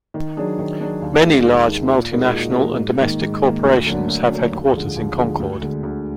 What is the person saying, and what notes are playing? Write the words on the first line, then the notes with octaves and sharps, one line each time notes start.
Many large multi-national and domestic corporations have headquarters in Concord.
D#3
F#3 D4 G#4
D#3
F#3 D4 G#4
D#2
D#3 G#3
D#2
D#3 G#3
A#2
G#3 D#4 F#4 A#4
A#2
G#3 D#4 F#4 A#4
G#2
D#3 A#3
G#2
D#3 A#3
D2
D3 F#3 A#3 D4
D2
D3 F#3 A#3 D4
D#2
D3 F3 G#3
D#2
D3 F3 G#3
D2
D3 G#3
D2